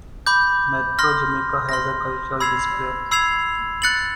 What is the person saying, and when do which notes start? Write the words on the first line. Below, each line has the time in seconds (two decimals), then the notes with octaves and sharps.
Metro Jamaica has a cultural display.
0.26 B5 D6 G6
0.99 C6 F6 A#6
1.69 C6 F6 A#6
2.40 B5 E6 G#6 C7 F7
3.11 B5 E6 G#6 C7 F7
3.82 F#6 A6 C#7 F#7